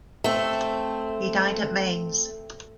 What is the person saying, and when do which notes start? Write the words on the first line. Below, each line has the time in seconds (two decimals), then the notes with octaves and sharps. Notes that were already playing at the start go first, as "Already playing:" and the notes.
He died at Mainz.
0.24 A3 C4